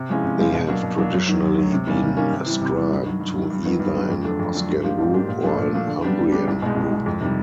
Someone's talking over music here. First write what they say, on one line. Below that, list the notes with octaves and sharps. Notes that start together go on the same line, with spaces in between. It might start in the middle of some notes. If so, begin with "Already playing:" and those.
They have traditionally been ascribed to either an Oscan group or an Umbrian group.
Already playing: C3
F3 G#3 C#4 E4
C3
F3 G#3 C#4 E4
B2
F#3 A#3 D4
B2
F#3 A#3 D4
F#2
D#3 F#3
F#2
D#3 F#3
C3
D#3 G3 A#3 C#4
C3
D#3 G3 A#3 C#4
C3
E3 G3
C3
E3 G3
G2
D#3 F#3
G2
D#3 F#3
G2
D#3 F#3 B3
G2
D#3 F#3 B3
F2
D3 F#3 A3 D4
F2
D3 F#3 A3 D4
G#2
F3 A#3 D4 G4
G#2
F3 A#3 D4 G4
A#2
F3 A3 D4
A#2
F3 A3 D4
D3
G3 B3 D4 G4
D3
G3 B3 D4 G4
C2
B2 G#3
C2
B2 G#3
F2
C3 D#3 G3